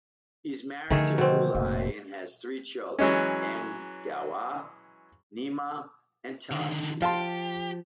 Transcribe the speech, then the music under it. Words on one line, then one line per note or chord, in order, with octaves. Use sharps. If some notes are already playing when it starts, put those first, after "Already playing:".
He is married to Fulli and has three children-Ang Dawa, Nima, and Tashi.
D3 D#3 F3 A3 G#4
B2 C4
F1 A#2
E3 F#3 G#3 C#4
D3 D#3
F3 G4 F5 A5 C6